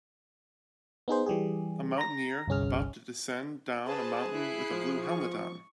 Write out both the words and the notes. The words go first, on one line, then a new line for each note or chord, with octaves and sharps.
A mountaineer about to descend down a mountain with a blue helmet on.
B3 D#4 G#4 C5
E3 G3 G4 G#4
A#5 A#6
G1 C2 C#4 G#4 F6
G#4 B4 C5 A5
E4 F#6 C7
F3
C#6